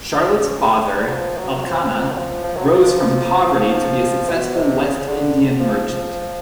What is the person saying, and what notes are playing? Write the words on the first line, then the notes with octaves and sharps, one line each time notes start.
Charlotte's father, Elkanah, rose from poverty to be a successful West Indian merchant.
D4
C#4
A3
G3
F#3
F3
F#3
F#3
F3
F3
F#3
F3
F3
F#3
F3
B2
C3
C#3
D3
F3
F3